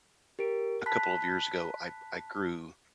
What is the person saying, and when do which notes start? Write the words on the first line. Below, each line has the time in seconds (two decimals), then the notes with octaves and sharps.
a couple of years ago, I I grew
0.39 G4 A#4 D7
0.86 A5 B5 F#6 B6